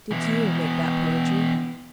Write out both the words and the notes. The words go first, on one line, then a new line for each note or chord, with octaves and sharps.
"Did you make that poetry?"
B2 E3